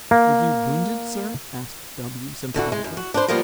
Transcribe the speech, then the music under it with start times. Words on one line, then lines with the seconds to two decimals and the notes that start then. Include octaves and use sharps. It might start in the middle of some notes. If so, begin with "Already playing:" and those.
"Were you wounded, sir?" asked W----, sympathetically.
0.11 A#3
2.54 D2 D3 E3 F#4
2.72 G#3
2.84 F#2
2.97 F#4
3.14 D4 B4 C5
3.28 F3 G3 A#3 B3 A#4